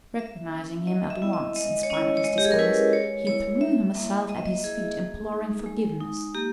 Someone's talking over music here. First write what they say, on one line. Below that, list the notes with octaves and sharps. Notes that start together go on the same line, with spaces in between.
Recognising him at once in spite of his disguise, he threw himself at his feet imploring forgiveness.
A#3 E5
C#4 E4
G3 D#5
E5
B3 E4
D#5
G#3 D#5
C#5
C#4 E4 D#5
C#5
G#3 D#5
G4
G#4
A#4
C#4 E4 B4
G#3 C#5
B3 E4 C#5
G3 E5
A#3 E4
A#3 D#5
E5
D#5
E4 G#4
A#3
D#4
G#3
D#4
A#3 G4